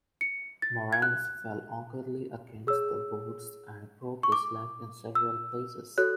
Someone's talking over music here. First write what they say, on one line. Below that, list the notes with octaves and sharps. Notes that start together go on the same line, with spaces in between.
Morenz fell awkwardly against the boards and broke his leg in several places.
C#7
A6
G#6
F#6
G#4 C#5 E6
C#6
D6
E6
F#4 A4 C#5 F#6